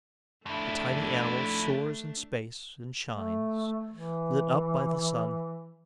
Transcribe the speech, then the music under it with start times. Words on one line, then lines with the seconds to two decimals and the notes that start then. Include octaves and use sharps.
The tiny animal soars in space and shines, lit up by the sun.
0.46 F2 A3 D4 E4
3.09 A3
3.92 E3